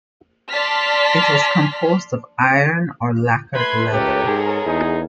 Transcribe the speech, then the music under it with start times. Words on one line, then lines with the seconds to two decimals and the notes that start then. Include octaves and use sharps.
It was composed of iron or lacquered leather.
0.50 D5 A5 C6 F6 B6
3.54 A3 B4 B5 C6 G#6
3.93 C#2 G4 A4 A#4 C#5
4.27 G#2 G#3 B3 G#4
4.66 E2 D#4